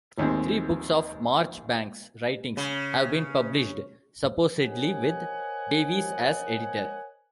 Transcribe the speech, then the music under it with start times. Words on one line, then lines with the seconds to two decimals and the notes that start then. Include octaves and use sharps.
Three books of Marchbanks' writings have been published, supposedly with Davies as editor.
0.18 A1 D#2 G#3 C4
2.57 C#3
4.62 A#4 C5 C#5 D#5 F#5 G#5